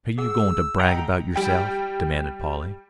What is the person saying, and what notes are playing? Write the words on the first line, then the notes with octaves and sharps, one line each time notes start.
"Are you going to brag about yourself?" demanded Polly.
G#4 F#5 E6
D#4 F#5 G5 A#5
G3 G5